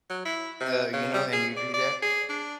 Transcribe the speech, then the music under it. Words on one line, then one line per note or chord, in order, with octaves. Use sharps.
uh, you know, and you do that,
F#3
E4
C3
C#3
G3
G#4
D5
D5
G#4
D4